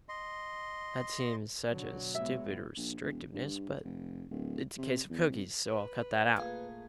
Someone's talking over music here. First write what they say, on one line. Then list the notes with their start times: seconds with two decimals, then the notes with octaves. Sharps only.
That seems such a stupid restrictiveness, but it's a case of cookies, so I'll cut that out.
0.09 D#5 C6
1.71 B2 D3 F#3
2.15 A2 G#3 B3 E5
2.77 A#1
3.02 E1
3.34 G2
3.85 F1
4.31 D1
4.78 C3
5.10 E2
5.29 C2
5.66 B4
6.36 A#2 A3 G#4 B4 F5 G#6